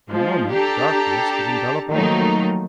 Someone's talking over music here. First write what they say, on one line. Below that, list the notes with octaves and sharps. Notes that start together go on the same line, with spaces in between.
In a moment darkness would envelop all.
F3 G#3
D4 G4 A4 A5 A#5
D#3 F3 F#3 A3 A#3 D#4